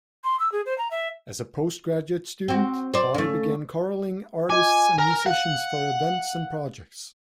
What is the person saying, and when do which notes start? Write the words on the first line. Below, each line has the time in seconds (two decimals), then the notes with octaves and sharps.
As a postgraduate student, Body began corralling artists and musicians for events and projects.
0.24 C6
0.39 E6
0.52 G#4
0.66 C5
0.78 A#5
0.91 E5
2.48 C4 F#4
2.94 C5 D5
3.14 C#3 A3
4.50 F4 D#5 G#5 D6
4.98 A#4 G#5 A#5
5.26 F5 F#5 F#6